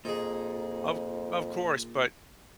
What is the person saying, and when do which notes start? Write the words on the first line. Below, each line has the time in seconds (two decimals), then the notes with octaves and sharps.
Of of course but
0.05 F2 A#2 D#4 G#4